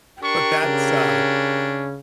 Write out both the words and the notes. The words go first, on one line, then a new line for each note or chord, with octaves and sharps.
but that's, uh
D4 G4 A#4 C#6
C#3 C#4